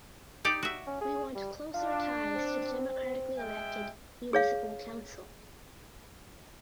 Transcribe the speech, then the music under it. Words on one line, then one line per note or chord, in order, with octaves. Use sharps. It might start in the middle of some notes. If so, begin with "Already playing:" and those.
We want closer ties to the democratically elected municipal council.
D#4 G4 D5
F#4 E5
C#4
G#4
G3
D4 F4
C4
G#3 E5 G5
G#4 C#5 F5